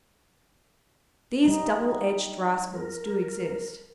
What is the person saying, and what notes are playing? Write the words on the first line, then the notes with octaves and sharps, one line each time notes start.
These double-edged rascals do exist.
G3 D#4
A#4